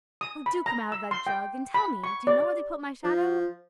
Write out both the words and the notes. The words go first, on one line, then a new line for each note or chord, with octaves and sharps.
"Oh, do come out of that jug, and tell me, do you know where they put my shadow?"
D#6
B5
A#5
E6
C6
G5
B5
C#6
D5
D5
F3